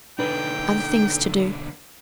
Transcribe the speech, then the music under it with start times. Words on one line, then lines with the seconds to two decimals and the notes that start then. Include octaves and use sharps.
'Other things to do.'
0.19 B1 D3 D4 D#4 G#4 A4 B4 G5